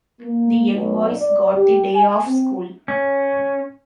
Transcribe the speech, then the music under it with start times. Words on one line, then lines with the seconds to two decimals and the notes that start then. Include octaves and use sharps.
The young boys got the day off school.
0.21 A#3
0.73 B1
1.17 D5
1.54 G4
1.95 G#5
2.26 C4
2.88 C#4